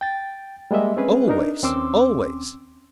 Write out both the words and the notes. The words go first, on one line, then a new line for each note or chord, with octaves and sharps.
Always. Always.
G5 A6
G3 G#3 A#3 D#5 E5
C4 C#4 G#4 B4
D4 D#4 A#4
D#2 C4 C#4 C6 D6 E6